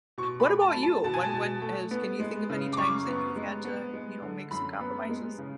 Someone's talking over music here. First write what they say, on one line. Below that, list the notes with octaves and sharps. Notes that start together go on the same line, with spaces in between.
what about you? When when is can you think of any times that you've had to, you know, make some compromises?
B2 C#6
B5
A3
A5
F#3
A5
B2 A5
G#5
A5
B2
A3
B3
G#3
C#3
D6
F#2 C#6
B3
G#3
B3
G#3
D3
F#2 B5
B3
G#3
C#3